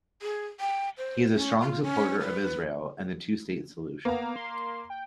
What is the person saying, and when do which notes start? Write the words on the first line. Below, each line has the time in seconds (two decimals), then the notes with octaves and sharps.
He is a strong supporter of Israel and the two-state solution.
0.22 G#4
0.60 G5
0.97 C5
1.35 C#4
1.61 F4
1.83 C#4
2.20 B4
4.05 A#3 B3 A#5
4.36 C6
4.90 G5